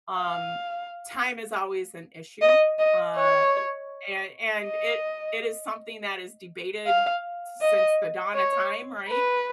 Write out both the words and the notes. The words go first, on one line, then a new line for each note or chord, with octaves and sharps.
um, time is always an issue. Uh, o and and it it is something that is debated since the dawn of time, right?
F5
D#5
D#5
C#5
D#5
F5
D#5
C#5
B4